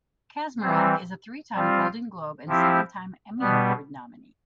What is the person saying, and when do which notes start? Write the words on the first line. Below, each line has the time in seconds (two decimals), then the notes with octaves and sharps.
Kaczmarek is a three-time Golden Globe and seven-time Emmy Award nominee.
0.62 E3 G3 C4
1.54 G3 C4 F4
2.48 F3 C4 E4 G4
3.40 B2 G3 B3